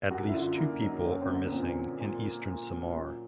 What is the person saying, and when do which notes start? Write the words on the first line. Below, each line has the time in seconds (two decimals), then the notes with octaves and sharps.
At least two people are missing in Eastern Samar.
0.10 F#2 F#4
0.28 E4
0.34 D3 F4
0.58 A#3 E4
0.81 F#3 D#4
1.05 F#2 C#4
1.21 C4
1.28 D3 C#4
1.43 B3
1.52 A#2 C4
1.76 F#3
2.00 A#2
2.24 A#3
2.47 A#2
2.71 F#3
2.94 A#2